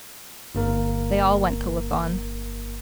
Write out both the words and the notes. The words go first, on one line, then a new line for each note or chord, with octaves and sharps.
They all went to look on.
G1 A#3 A#4